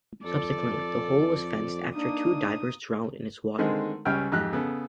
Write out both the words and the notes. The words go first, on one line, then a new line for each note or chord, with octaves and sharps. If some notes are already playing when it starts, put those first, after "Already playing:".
Subsequently, the Hole was fenced after two divers drowned in its water.
F2 A4 D5
A#3 D4 D#4 D#6
D3 D#3 G#3 C4
C#2 G3 C#4 G5 F6
F2 G#2 G4 F#6
C#3 B3 A4